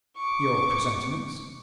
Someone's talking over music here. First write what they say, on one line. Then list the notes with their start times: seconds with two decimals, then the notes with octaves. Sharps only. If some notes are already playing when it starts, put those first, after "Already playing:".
"Your presentiments?"
0.17 C#6 D6